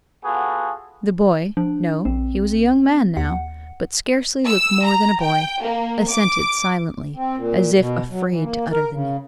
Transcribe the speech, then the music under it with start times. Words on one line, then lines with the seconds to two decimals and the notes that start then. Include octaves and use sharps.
The boy--no, he was a young man now, but scarcely looked more than a boy--assented silently, as if afraid to utter the name.
0.25 B3 F4 F#4 G#4 A4
1.57 F3 D4
2.05 A#1 C4
3.17 D#2 F#5
4.46 E6
4.84 A#5
5.20 G5
5.62 A#3
6.10 D6
7.17 C4
7.37 A#2
7.78 B2
8.11 F#3
8.30 E3
8.43 A#3
8.72 A#4
8.92 C#3